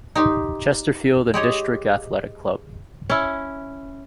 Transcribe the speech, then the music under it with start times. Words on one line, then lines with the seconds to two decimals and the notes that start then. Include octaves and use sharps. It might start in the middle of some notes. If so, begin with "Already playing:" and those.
Chesterfield and District Athletic Club.
0.15 D#4 G4 C5
1.34 G#3 G4 C#5 D#5
3.10 C#4 E4